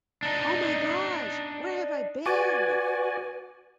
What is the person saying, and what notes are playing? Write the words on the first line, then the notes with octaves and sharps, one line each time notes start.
Oh my gosh, where have I been?!
D4 D#4
F#4 B4 D5 G#5